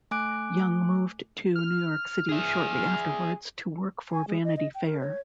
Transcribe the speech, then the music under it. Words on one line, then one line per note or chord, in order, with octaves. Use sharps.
Young moved to New York City shortly afterwards to work for "Vanity Fair".
A3 G#5 D6 F#6 D7
F6
G#4 E5
G#5
G#3
D#5
D#5
G5
A#4
C#5